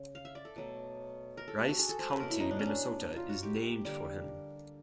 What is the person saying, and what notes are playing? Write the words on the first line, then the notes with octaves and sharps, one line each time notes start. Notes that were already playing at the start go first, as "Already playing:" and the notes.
Rice County, Minnesota is named for him.
Already playing: C#3
F5
E5
D5
A4
B2 F#3 A3
A#4
A4
G4
F#4
G#4
A4
C5
B4
B2 F#3 A#3 A#4
E4
D#4
D4
C#4
D4
D#4
F4
F#4
G4
D3 G3 A#3